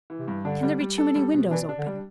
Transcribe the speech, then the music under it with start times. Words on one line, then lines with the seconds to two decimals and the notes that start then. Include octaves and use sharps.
Can there be too many windows open?
0.10 E3
0.19 C3
0.28 G2
0.45 D3 D4
0.63 G3
0.80 G3
0.98 A4
1.16 G3
1.34 B2
1.51 E3 D4
1.69 D4
1.78 D3
1.87 G3